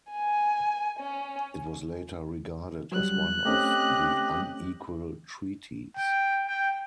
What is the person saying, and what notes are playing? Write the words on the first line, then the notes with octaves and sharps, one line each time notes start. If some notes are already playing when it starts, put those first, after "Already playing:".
It was later regarded as one of the "Unequal Treaties".
G#5
C#4
F#3 G3 F#6
A3 C4 C#4 G4 D#5
G5
G5